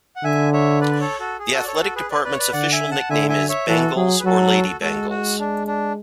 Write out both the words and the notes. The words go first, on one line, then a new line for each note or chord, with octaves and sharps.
The athletic department's official nickname is Bengals or Lady Bengals.
F#5
D3 E5 G#5
C#5 E5
B4 D5
D5
A4 C#5
F#4 A4
G#4
F#4 A4
D5
A4 C#5
F#4 A4
G#4 B4
B4 D5
B4 D5
C#5
B4 D5
D3 D5 F#5
E5 G#5
F#5 A5
D3 E5 G#5
E5 G#5
C#5 E5
E3 F#4 A4
F#3 G#4
B4
F#3 F#4 A4
G#3 F#4 A4
F#4
D4
D4